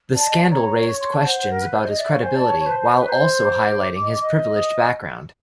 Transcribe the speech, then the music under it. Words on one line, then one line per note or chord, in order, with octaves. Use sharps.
The scandal raised questions about his credibility while also highlighting his privileged background.
D5 A5
D#5
D5
C#5 A#5
C#6
C6
A5
C5 F#5
C5
A#4
B4
C5
D#5
D5 E5
C#5 F5
C5 G#5
D5 A5
C#5
C#5
B4
C5
B4
C5 A#5
C6
C6
D6
D#5
D#5
D#6